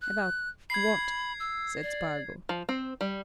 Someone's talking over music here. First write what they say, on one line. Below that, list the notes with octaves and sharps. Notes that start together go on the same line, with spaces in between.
"About--what?" said Spargo.
F#6
B5 G#6 C7
E6
D5
F3
C4
G3